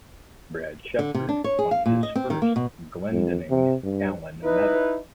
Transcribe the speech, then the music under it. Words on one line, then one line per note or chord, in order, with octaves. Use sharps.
Brad Sheppard won his first Glendinning–Allan Medal.
D3
C3
D4
C#5
G#4
F5
A#2
D#5
C4
D#3
A#3
B2
F2
C3
G2
D#4 E4 B4